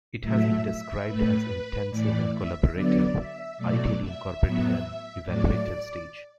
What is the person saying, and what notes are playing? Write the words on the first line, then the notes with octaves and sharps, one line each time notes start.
It has been described as intensive and collaborative, ideally incorporating an evaluative stage.
A2 F#3 A3 E5
E5
A2 A3 B4
A2 E3 A3 D5
E5
D3 F#3 B3 D5
E5
B2 F#3 A3 D5
E5
A2 F#3 B3 E5
A2 F#3 A3 D5